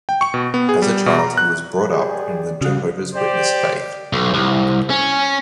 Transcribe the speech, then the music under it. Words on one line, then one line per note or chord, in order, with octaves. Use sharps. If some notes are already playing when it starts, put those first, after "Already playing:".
As a child, he was brought up in the Jehovah's Witness faith.
G5
C#6
B2
B3
G#4
G3
B2
A#5
F#6
G4 G#4 D5
C#3 G3 F#4 G4 D#6
G4 C5 D5
B1
C2
C#4